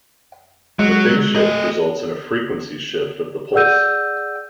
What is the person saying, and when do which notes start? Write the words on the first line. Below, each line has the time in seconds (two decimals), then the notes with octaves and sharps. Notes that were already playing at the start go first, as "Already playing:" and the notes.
The phase shift results in a frequency shift of the pulse.
0.79 F#3 G#3
1.36 A3 D#5
3.53 G#4 D5 F#5 E6 G6 D#7